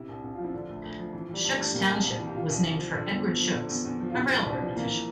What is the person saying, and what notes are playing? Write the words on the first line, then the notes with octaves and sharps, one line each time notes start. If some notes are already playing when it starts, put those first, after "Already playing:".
Shooks Township was named for Edward Shooks, a railroad official.
Already playing: C3 E4
C2
C2
F4
F3
E4
D3 D4
D2
D2
F3
E3 E4
E3 G3
G2
A3
G2
C3 A#3
C2
C2
E3
G4
C3 F4
C2
C2
F3
D3
E2
E2
F3
D3
E2
E2
F3
F4
C3 E4
C2
C2 D4
F3
E3 A#3
E3